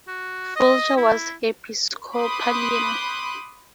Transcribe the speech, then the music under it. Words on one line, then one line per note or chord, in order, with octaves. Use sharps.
Folger was Episcopalian.
F#4
D#5
E4
B5 C6 D6 D#6 F#6 G6